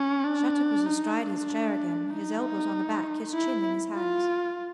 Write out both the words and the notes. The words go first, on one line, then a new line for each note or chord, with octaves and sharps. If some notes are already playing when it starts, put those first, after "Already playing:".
Shattuck was astride his chair again, his elbows on the back, his chin in his hands.
Already playing: C#4
D4
D#4
D4
D#4
E4
F4